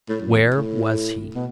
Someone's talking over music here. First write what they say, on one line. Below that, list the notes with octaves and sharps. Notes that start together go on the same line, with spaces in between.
Where was he?
A2
F#2
E2
A2
B2